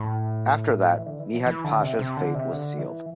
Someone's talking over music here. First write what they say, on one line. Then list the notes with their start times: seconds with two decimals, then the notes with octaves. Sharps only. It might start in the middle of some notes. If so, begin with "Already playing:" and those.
After that, Midhat Pasha's fate was sealed.
Already playing: A2
0.99 E3
1.06 D3
1.19 E3
1.33 F#3
1.46 E3
1.64 D3
1.82 C3
1.99 C3
2.17 D3
2.34 C3
2.52 D3
2.78 E3